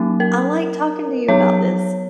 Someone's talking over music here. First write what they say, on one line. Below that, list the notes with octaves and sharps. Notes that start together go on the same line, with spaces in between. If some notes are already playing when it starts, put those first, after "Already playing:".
I like talking to you about this.
Already playing: F#3 A#3 C#4
A#4
F#3 B3 C#5